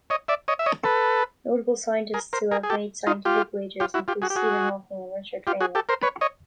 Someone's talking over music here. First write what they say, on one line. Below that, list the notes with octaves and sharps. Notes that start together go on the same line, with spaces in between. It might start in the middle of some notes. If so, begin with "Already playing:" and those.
Notable scientists who have made scientific wagers include Stephen Hawking and Richard Feynman.
C#5 D#5
D5 E5
C#5 D#5
E5
C#5 D#5
A4 B4
G#4 A#4
A#4 C5
G#4 A#4
G#4
G4 A4
D#4 F4
F4 G4
F4 G4
E4 F#4
F4 G4
F#4 G#4
G4
F#4 G#4
F4 G4
F#4 G#4
G4 A4
A#4 C5
B4 C#5
C#5 D#5